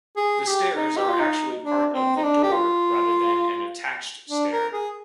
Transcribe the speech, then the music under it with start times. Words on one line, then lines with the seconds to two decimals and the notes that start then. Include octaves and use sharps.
The stairs are actually part of the door rather than an attached stair.
0.17 G#4
0.40 G#4
0.47 G4
0.75 D#4
0.97 G4
1.09 F4
1.20 D#4
1.64 D4
1.94 C4
2.16 D#4
2.23 D4
2.43 G4
2.52 F4
4.29 D4
4.51 A#4
4.73 G#4